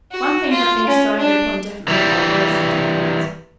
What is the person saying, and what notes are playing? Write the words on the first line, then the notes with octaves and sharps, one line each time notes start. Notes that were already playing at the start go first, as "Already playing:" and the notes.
One thing had been decided upon definitely by Grace and her friends.
F#4
F4
C#4
D4
E3 G3